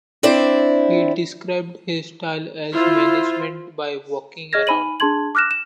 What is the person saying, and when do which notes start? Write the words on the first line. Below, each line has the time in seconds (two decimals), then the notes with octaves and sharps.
He described his style as management by walking around.
0.23 C4 D4 E4 C5 D5
2.74 E4 F4 C5
4.53 G#4 D#5 F6 G#6 A#6
4.67 D#4 G#5 B5 D#7 F#7
5.00 D4 G#4 A5 C6 G#6 F#7
5.35 D6 F6 F#6 A#6 E7
5.51 E7